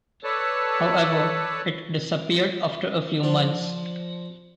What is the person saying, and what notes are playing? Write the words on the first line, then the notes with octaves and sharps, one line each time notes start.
However, it disappeared after a few months.
A4 B4 C#5 D5 A5
F3 D4